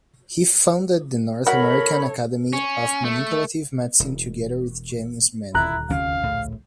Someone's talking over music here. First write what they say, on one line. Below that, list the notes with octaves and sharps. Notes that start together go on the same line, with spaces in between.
He founded the North American Academy of Manipulative Medicine together with James Mennell.
F#4 A4 A#4 C#5 E5 F#5 B5
C#4
A3
E1
D#1 D2 E4 A#5 F#6
F1 D2 C3 C#4 F5
A#1 A2